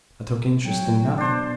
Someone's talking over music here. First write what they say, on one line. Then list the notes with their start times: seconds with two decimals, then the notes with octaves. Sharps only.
I took interest in nothing.
0.63 F#3 G5
1.18 B2 D4 C5